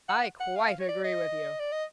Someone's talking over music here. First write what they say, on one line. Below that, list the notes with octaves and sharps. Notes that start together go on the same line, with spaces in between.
"I quite agree with you."
F#5
F#5
F5
C#5
D5
D#5
D5
D#5